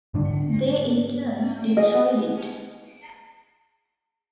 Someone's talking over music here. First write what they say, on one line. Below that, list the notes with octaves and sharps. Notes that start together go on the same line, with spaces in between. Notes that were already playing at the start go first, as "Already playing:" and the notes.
They in turn destroyed it.
G#2 D3 G3 D4
G#4 D#5